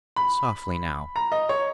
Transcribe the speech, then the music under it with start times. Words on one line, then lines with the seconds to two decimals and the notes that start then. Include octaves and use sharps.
Softly now.
0.16 B5
1.16 A#5
1.32 D#5
1.49 C#5